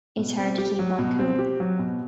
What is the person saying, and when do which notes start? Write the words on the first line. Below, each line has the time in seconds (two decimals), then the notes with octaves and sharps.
It's hard to keep my cool.
0.18 B2
0.38 C4
0.58 G4
0.79 F#3
0.99 B2
1.19 C4
1.39 G4
1.60 F#3
1.79 B2